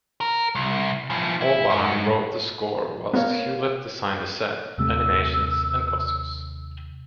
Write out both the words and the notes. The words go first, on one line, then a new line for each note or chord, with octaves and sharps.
Albarn wrote the score whilst Hewlett designed the set, animations and costumes.
A#4
C2
E3 F3
E4
G#2
B3 A#4 C#5 F5
D#2 C3 A3 E6